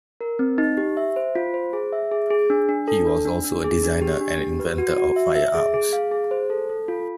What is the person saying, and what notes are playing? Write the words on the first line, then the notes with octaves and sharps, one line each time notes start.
He was also a designer and inventor of firearms.
A#4
C4
D#4
G4
E5
C5
F4
C5
G#4
E5
G#4
G#4
D4
D4
A4
D4
D4
D4
G#4
D4
G4
D4
G4
B4
F#4
F#4
E5
E5
G#4
G#4
F5
G#4
C5
A4
A4
F4